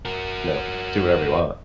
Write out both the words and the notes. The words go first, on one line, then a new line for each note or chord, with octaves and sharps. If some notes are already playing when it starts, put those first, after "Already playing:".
you know, do whatever you want.
F#4 A#4